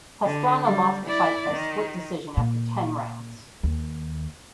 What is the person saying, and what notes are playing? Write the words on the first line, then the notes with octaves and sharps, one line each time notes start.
Pastrana lost the fight by split decision after ten rounds.
D3
G3
E4 D5
D#3
A#2
D#2